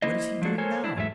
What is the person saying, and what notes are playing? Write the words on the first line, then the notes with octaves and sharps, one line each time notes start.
What is he doing now?'
A#3 E4 C5 D#5
F3 F#3 A#3 D4 F#4
A4 A#4 C5 C#5 G#5
D4 E4
E2 G#2 F#3 G#3 A3 E5